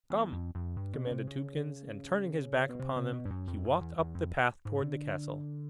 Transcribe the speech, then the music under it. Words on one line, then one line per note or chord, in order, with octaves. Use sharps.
"Come!" commanded Tubekins, and turning his back upon them he walked up the path toward the castle.
E2
F2
F2
G2
B2
C#3
C3
C#3
B2
C3
C3
B2
G2
F#2
F2
F#2
E2
E2
F2
G#2
D3